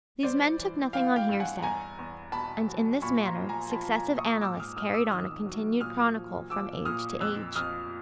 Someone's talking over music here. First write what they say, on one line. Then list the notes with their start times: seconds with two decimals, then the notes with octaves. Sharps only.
These men took nothing on hearsay: and in this manner successive annalists carried on a continued chronicle from age to age.
0.23 G2 C5 D5
0.59 E3
0.93 E3 F5 G5
1.16 F5 G5
1.29 G2
1.40 F#5 G#5
1.63 E2 G#5 A#5
1.99 E2
2.32 B2 A5 B5
2.68 F#3
3.02 A#2 B5 C#6
3.26 A#5 C6
3.38 F3
3.49 G#5 A#5
3.72 F3 A5 B5
3.95 G#5 A#5
4.07 A#2
4.18 C#6 D#6
4.41 G#2 D6 E6
4.60 D#6 F6
4.77 G#2 D#6 F6
4.94 D6 E6
5.11 D#3 D#6 F6
5.46 F#3
5.81 A#2 D#6 F6
6.17 F3
6.50 F3 D6 E6
6.85 A#2 D#6 F6
7.20 F2 E6 F#6
7.56 F2 D#6 F6